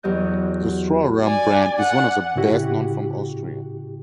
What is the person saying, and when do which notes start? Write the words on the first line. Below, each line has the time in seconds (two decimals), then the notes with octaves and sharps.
The Stroh Rum brand is one of the best-known from Austria.
0.03 E2 F#3 G4 D#5 G6
1.25 D5 G#5
1.78 F#5
2.36 A2 C#3 E4 F#4 G4